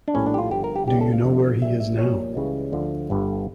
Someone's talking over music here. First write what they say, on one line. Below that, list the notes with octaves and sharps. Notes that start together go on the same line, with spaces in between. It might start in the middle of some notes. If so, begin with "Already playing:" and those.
Do you know where he is now?
D4
A#1 A2 G3 C#4
D4
G4
F4
G1 G2 D3 F3 G4
A#4
G4
C#2 C#3 E3 G3 G4
A4
F5
F2 D3 F3
A#1 A#2 G3 E5
E5
A#1 A#2 G3 C#5
C#2 C#3 E3 G3
D2 D3 F3
G1 G2 D3